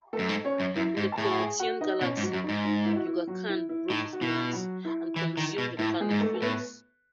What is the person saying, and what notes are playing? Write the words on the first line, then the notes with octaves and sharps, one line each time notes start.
In The Promethean Galaxy Yuga Khan broke his bonds, and consumed the planet Velos.
A3 A4
F#2
G#2
C#4 C#5
F#2
F#2 E4 E5
G#2
A5
A2 G#4 G#5
F#5
G#4 G#5
F#4 F#5
D#4 D#5
B2 C#4 C#5
G#2
F#3 F#4
F#2
G#2 D#4
D#4
E4
F#4
E4
F#3 F#4
E4
E4
A2 D#4
F#4
B2 E4
E4
F#3 F#4
E4
E3
D#3
B2
A2 E4
G#3 G#4
G#2
A3 A4
A4
A2 B3 B4